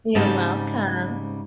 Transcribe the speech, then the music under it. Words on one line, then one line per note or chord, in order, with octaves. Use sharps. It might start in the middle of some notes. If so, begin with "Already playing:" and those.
You're welcome!
G#2 C#3 G3 C4 A5